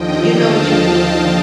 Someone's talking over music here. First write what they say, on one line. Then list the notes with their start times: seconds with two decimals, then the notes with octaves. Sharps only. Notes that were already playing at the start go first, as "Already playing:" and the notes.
You know what you doing.
Already playing: D#2 D3 F3 D#5 G5
0.30 F5 A5